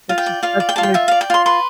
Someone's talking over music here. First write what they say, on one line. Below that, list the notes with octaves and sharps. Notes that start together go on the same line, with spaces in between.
Such a such a nice
F4
G5
D5
F4 F5
D5
G5
F4 A5
G5
F4 E5
D5 F5
G5
F4 C6
B4 C6